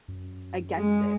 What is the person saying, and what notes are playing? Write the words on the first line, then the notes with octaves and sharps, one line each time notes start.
against it.
F#2
G#3